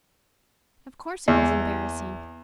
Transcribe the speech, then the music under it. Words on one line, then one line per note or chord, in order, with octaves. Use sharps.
Of course it was embarrassing.
E2